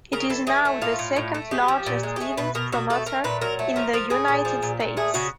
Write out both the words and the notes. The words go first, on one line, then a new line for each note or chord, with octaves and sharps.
It is now the second-largest event promoter in the United States.
C#3 A#4
E3 A4
E3 G#4
A3
A2 F4
A2
A2
A3
G#3 G4
F3
A#2
G#3
G4
A3 G#4
B2 B4
B2 A#4
B2 F#4
A3 A4
A3 A#4
A#2 B4
F#3 A#4
A3
F3 A#4
F3 A#4
A2 G#4
A#2
F3
A#2
A#2
A3 G#4
C#3 F#4